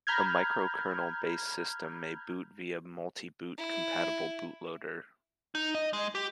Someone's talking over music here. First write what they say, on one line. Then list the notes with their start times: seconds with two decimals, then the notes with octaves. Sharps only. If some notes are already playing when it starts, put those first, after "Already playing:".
A microkernel-based system may boot via multiboot compatible boot loader.
0.07 A#5 B5 F6 G6 G#6
3.58 E4
5.55 D#4
5.75 D#5
5.93 G#3
6.15 G4